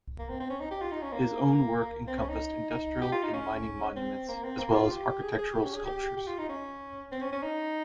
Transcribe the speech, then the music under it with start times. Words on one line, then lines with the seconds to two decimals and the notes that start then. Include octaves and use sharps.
His own work encompassed industrial and mining monuments as well as architectural sculptures.
0.19 A#3
0.29 C4
0.40 C4
0.50 C#4
0.60 D#4
0.71 G4
0.81 F4
0.92 D#4
1.02 C#4
1.12 A#3
2.07 C4
2.18 C#4
2.29 D#4
2.70 D#4
3.01 G4
3.12 F4
3.23 D#4
3.33 C#4
3.96 C4
4.28 A#3
4.43 C4
4.59 A#3
4.74 F4
4.91 G4
5.22 G#4
5.38 G#4
5.53 G4
5.64 C#4
5.75 G#4
5.85 G4
6.17 G4
6.27 F4
6.38 D#4
6.49 C#4
7.11 C4
7.22 C#4
7.32 C#4
7.42 D#4